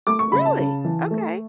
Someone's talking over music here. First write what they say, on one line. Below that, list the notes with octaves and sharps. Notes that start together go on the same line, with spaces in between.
Really? Okay.
A3 D6
C#6
C#3 B5
A5
C#3
E3
A3